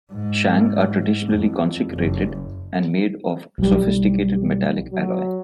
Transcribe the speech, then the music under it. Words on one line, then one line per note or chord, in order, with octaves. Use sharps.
Shang are traditionally consecrated and made of sophisticated metallic alloy.
G#2
F2
F#1
B1 G3
F#3